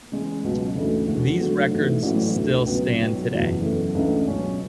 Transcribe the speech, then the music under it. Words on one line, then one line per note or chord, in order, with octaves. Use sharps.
These records still stand today.
C#3 E3 G#3
C#2 B2 F#3
D2 C#3 E3 A3
E2 D3 G#3 D4 F#4
D3 F#3 A3 D4 F#4
G#2 E3 A3 E4
A1 A2 F#3 C#4 E4
D2 D3 A3 D4
C#2 B2 F#3 B3
B1 B2 F#3
F#1 E2 B2
F#2 E3 B3 F#4 A4
C#2 C#3 E3 A3 D4
C#2 B2 F#3 C#4